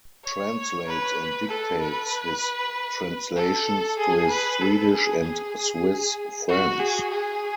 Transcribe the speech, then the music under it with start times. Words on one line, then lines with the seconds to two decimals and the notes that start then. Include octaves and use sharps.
Translates and dictates his translations to his Swedish and Swiss friends.
0.25 C#5
0.87 B4
1.49 A4
1.81 B4
3.36 A4
3.99 G#4
4.30 B4
4.61 A4
4.92 G#4
5.23 G#4
6.48 F#4
6.79 G#4
7.11 G#4